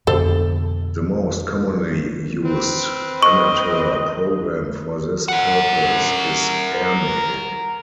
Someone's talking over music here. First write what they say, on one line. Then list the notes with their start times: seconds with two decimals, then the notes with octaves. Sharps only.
The most commonly used Amateur program for this purpose is "Airmail".
0.07 F2 B2 D3 A4 C5
2.44 C4 B4
3.23 D#5 C#6
5.28 A#4 F#5